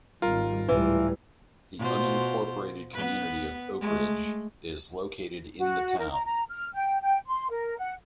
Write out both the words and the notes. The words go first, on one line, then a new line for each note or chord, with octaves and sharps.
The unincorporated community of Oakridge is located in the town.
G#1 G3 F4 A#4
C#2 A2 E3 G3
B2 F4 C5
B3 B4
G#3 A3
F#4
A#4
A#5
A#5
F6
G5
G5
C6
A#4
F#5